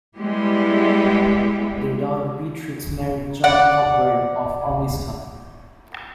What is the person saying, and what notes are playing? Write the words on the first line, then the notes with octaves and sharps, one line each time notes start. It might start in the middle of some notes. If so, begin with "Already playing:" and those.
Their daughter Beatrix married John Cockburn of Ormiston.
G3 G#3 B3 E4 G4
D5 F#5